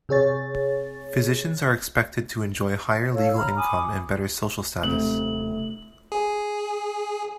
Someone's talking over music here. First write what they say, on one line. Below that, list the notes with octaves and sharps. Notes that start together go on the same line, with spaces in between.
Physicians are expected to enjoy higher legal income and better social status.
C3 G#4 C#5 A6
A4 C#5 F5
A#5 B5 F6
G#5 B5 D6 D#6
D#1 C3 A3 C4 F#7
G#4